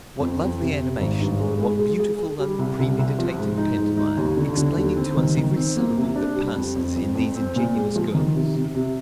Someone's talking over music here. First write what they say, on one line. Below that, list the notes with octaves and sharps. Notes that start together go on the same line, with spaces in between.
What lovely animation, what beautiful unpremeditated pantomime, explaining to us every syllable that passes, in these ingenuous girls!
F2
F2
C3
C3
G#1
G2
G#3
G#3
G#4
G#4
G#4
G3
C2
C2
C2
F3
G#2
D#4
G#2
D#4
D#2
D3
D3
D#2
C4
D#3
D#3
C4
A#3
C3
D4
G3
F2
F2
F2
F2
C4
A#2
G#3
F3
D#3
C3
C3
C3